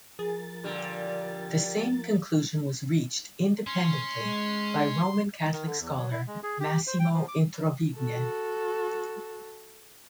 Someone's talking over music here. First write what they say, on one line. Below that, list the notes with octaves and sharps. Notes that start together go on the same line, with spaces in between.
The same conclusion was reached independently by Roman Catholic scholar Massimo Introvigne.
F3 G#4 A#4 A6
A#2 D3 G3
C#4 C6
G#3
D#3
D3
E2
F#3
E4
G#3
G#4
G4
C5
G5
F3
D6
F#4 A4